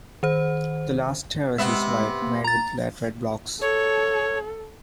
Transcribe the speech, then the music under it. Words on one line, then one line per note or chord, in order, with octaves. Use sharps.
The last terrace is wide, made with laterite blocks.
D#3 C5
C3 G#3 B3 E5
A#3
A#5 A6
A4 C#5